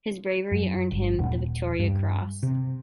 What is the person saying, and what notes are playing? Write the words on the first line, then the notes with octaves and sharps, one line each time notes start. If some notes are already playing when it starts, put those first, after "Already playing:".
His bravery earned him the Victoria Cross.
F#2
G1
D#1
G2
C3